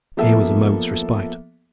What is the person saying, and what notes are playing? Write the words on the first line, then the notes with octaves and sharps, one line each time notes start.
Here was a moment's respite.
F3 A#3 B3 A4 E5